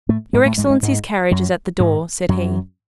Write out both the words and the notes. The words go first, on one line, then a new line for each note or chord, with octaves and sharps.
"Your excellency's carriage is at the door," said he.
A2 A3
G#2 G#3
A2 A3
G#2 G#3
F#3
G#2 G#3
G#2 G#3
F#2 F#3
G#2 G#3
F#2 F#3